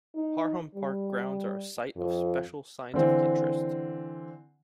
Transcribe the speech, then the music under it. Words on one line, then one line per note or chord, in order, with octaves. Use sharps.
Parham Park grounds are a Site of Special Scientific Interest.
D#4
G3
F2
D3 E3 C4